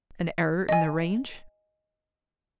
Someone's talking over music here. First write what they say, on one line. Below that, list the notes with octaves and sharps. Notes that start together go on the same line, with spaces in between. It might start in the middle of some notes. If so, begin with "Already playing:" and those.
An error in the range?
D#5 G#5